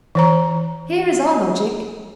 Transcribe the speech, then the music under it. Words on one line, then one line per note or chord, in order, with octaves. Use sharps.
Here is our logic.
E3 C5 A#5